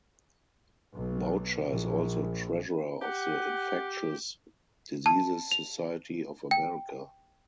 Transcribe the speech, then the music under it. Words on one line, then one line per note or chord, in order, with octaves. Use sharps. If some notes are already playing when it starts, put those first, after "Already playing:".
Boucher is also treasurer of the Infectious Diseases Society of America.
B1
A#1
G4 F#5
A5
F7
G5